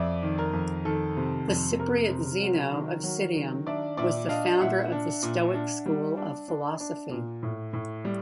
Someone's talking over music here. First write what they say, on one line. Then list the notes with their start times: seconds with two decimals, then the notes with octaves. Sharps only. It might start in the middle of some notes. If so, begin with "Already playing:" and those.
The Cypriot Zeno of Citium was the founder of the Stoic School of Philosophy.
Already playing: F2 D5 E5
0.23 D#3
0.38 A#4
0.53 F2
0.85 D#3 A4
1.17 C3
1.48 F2
1.79 C3 A#4
2.10 C3
2.42 F#3
2.72 D#3
3.03 F#3
3.36 D#3
3.67 D4 D5 E5
3.97 A#2 D5 E5
4.29 D4 D#5 F5
4.60 A#2 E5 F#5
4.92 D4
5.23 A#2
5.54 D4
5.86 G3
6.17 D4
6.48 D4
6.80 D4
7.11 A#2
7.43 A2
7.73 A2
8.05 G3